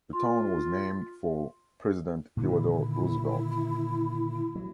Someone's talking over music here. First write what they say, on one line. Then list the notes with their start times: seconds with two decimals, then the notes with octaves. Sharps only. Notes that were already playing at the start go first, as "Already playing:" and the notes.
The town was named for President Theodore Roosevelt.
0.13 F4 C6
2.37 A#2 D3 D#3 E4
4.55 F#3